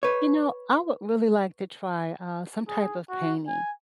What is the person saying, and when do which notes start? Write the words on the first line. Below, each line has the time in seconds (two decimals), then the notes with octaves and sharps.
You know, I would really like to try, uh, some type of painting.
0.03 B4 C#5
2.68 G#4
3.09 F#4
3.47 G#5